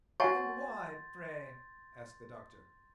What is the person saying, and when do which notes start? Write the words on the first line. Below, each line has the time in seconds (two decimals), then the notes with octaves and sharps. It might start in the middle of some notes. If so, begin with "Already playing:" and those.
"And why, pray?" asked the Doctor.
0.20 F#4 C#5 F#5 G#5 C6 C#6 G6 A6